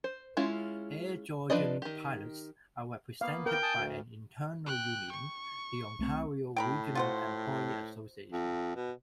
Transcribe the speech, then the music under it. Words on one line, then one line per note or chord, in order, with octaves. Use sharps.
Air Georgian pilots are represented by an internal union, the Ontario Regional Employee Association.
C5
G#3 C#4 E4 F4
F3 D4 B4 D5 D#5
D#3 G4
A#3 B3 F5
A#4 G5
G#5 A5 D#6
D2
G5 F#6
C#6
C2 A3 C4
A2 G5 A#5 B5
F4 F#4 C5
F2
B2